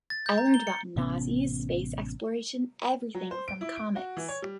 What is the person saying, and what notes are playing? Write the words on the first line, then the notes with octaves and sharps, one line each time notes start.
I learned about Nazis, space exploration, everything from comics.
A6
G6
A#5
G7
C#7
A1 C3 B3 C#4
F#3
C5
D7
E4
D7
F#4
E3
C#5
G3